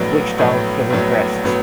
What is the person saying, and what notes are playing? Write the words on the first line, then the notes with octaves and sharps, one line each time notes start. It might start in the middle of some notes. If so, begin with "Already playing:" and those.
Switch down, button pressed.
Already playing: A#1 A2 F#3 B3
A#1 A2 F#3 B3
A#1 A2 F#3 B3
A2 F#3 B3